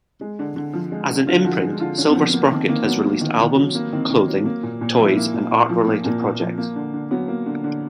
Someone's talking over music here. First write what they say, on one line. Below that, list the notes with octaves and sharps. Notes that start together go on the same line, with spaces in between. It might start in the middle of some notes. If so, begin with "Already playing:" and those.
As an imprint, Silver Sprocket has released albums, clothing, toys, and art-related projects.
G#3
D3
D3
F3
G#3
D3
D3 F4
F3 F#4
G#3
D3 F4
D3 C#4
B3
F3 C4
A#3 B3
D#3 C4
D#3 A#3
F#3 B3
A#3
D#3
D#3
F#3
A#3
D#3 C4
D#3
F#3
A#3
A#2
A#2
F3 E4
A#3
A#2
A#2
F3
A#3
A#2 A#3
A#2
F3
A#3
D3
D3
F#3 B3
A#3
D3
D3